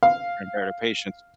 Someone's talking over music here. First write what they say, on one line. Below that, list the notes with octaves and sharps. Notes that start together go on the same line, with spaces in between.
prepare the patients.
F5